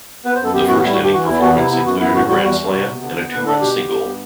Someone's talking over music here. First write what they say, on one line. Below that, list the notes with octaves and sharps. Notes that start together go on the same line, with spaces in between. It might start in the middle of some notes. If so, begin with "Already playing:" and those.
That first inning performance included a grand slam and a two-run single.
B3 B4
C5
F#2 A4
B3 G4
A2 F#4
G3 E4
F#4
G2 G4
E3 F#4
E2 E4
B3 F#4
C3 E4
B3 E4
F#2 F#4
B3 E4
A2 F#4
G3 F#4
E2 F#4
G3
C3
B3
D3
B3
D3 B4
D4 A4
B2 G4
B3
G2
B3